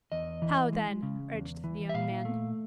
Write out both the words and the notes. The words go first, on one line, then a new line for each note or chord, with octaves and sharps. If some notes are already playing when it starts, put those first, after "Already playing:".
'How then?' urged the young man.
E2 D#5
E3
G#3
C#3
E2
E3
E5
A#2 F5
A3